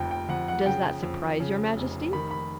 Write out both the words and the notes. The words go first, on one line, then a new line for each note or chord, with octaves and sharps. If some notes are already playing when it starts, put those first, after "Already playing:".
"Does that surprise your Majesty?"
Already playing: F1 F2 G5
G5
F2 F#5
F#5
C#3 G5
F2
C#3
F1
D#3 B5
B5